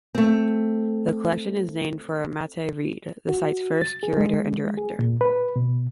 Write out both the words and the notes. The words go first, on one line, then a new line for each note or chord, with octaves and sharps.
The collection is named for Mattye Reed, the site's first curator and director.
A3 C4
F#4
A6
G#4
G#3
G#4
A#2
B4
B2